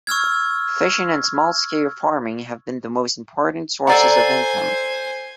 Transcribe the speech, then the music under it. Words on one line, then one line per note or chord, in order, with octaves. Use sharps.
Fishing and small-scale farming have been the most important sources of income.
C#6 E6 F6 G#6
A4 C5 D5 F#5 G#5 A#5